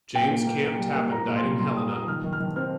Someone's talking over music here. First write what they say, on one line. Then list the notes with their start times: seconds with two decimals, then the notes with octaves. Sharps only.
James Camp Tappan died in Helena.
0.15 A#2 G5
0.31 A#3
0.47 A#3
0.64 A#3
0.79 G3
0.96 A#3
1.12 A#3 A#5
1.28 A#2
1.36 C6
1.44 G3
1.59 G3 C6
1.76 A#2 D#6
1.91 A#2 D#6
2.08 D#3 F6
2.24 D#3
2.33 F6
2.40 D#3
2.56 C4 F6